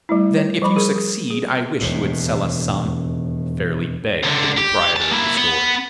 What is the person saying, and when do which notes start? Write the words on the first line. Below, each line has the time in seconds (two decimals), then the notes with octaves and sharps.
"Then if you succeed I wish you would sell us some," fairly begged the proprietor of the store.
0.09 G3 A3 E4
0.37 C#5
0.62 F3 G3 B5
0.76 G#4 A#4 B5
0.96 G#4
1.30 G#4
1.81 E1 D#2 A2
4.23 C#2 D3
4.57 G4
4.96 C#4 A5
5.12 A#3 E4
5.37 B3